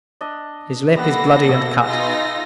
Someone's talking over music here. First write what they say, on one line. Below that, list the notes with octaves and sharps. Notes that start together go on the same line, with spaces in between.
His lip is bloody and cut.
D4 D#5
G3 A#3 B3 A4 F#5 A#6
B2 D#5 E5
D#4 F4 G#4 A#6